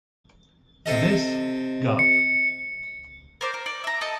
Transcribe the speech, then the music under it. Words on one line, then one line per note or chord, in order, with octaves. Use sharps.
For this, Gov.
C3 A4 D#5
C#7
A#4 C5 D5
A#4
D5
E5 A#5
A4 D#5